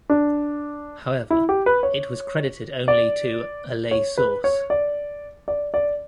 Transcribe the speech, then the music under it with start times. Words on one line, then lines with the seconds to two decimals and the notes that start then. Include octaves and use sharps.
However, it was credited only to a "lay source".
0.10 D4
1.30 E4
1.49 G4
1.66 B4
1.83 C#5
2.88 D5
3.91 C#5
4.18 B4
4.44 C#5
4.70 D5
5.48 D5
5.74 D5